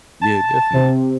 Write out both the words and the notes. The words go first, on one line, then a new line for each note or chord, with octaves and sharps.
Yeah. Definitely.
A5
C3